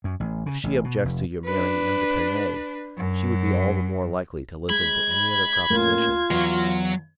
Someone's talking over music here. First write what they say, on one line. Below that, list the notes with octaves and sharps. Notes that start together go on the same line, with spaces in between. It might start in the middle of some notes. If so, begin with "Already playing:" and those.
"If she objects to your marrying M. d'Epinay, she would be all the more likely to listen to any other proposition."
F#2
A1
C#3
A1
B2
F1
D4 B4
F#2
G#3 B5 G#6
A2 A#3 C#4 F4
E2 F#3 F5